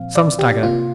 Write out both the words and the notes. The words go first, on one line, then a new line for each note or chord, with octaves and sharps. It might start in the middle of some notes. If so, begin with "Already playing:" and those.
Some stagger.
Already playing: A#2 F3 C4 F5
D5
G4
C3 A#3 F4